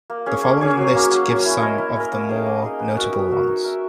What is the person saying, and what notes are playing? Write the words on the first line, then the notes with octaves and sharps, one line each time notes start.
The following list gives some of the more notable ones.
A#3
C#4 G#4 C#5
A#3
C#4 G#4 C#5
F#3
A#3 C#4
F#3
A#3 C#4
E4
A#4 D#5
E4
A#4 D#5
A#3
D#4 G#4 D#5
A#3
D#4 G#4 D#5
B3
F#4 A#4 E5
B3
F#4 A#4 E5
D#4
A#4 E5